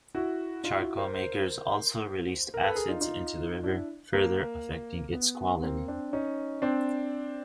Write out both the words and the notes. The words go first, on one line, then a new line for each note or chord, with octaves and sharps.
Charcoal makers also released acids into the river, further affecting its quality.
E4 F#4
D#4 F4
E4 F#4
A#4 C5
A#4 C5
A#4
A4 B4
G#4 A#4
D#4 F4
D#4 F4
D4 E4
A#3
B3
A#3 C4
C4 D4
C#4 D#4
C4 D4